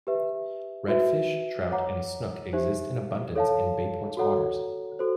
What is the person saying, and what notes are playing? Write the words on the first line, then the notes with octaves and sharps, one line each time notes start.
Redfish, trout and snook exist in abundance in Bayport's waters.
G4 B4 E5
F#4 B4 E5
C#5 F#5 A#5 D6
D#4 G4 C5 E5
A4 C#5 F5 A5
F#4 A4 C#5 F#5 A#5
F#4 A4 C5